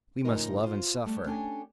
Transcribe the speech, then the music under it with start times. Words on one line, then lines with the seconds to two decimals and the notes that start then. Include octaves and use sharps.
We must love and suffer....
0.25 A2 C#3 F3 D#4 A#4
0.64 F4 C5
1.06 G3 A3
1.26 C#4 D4 G4 A4 G#5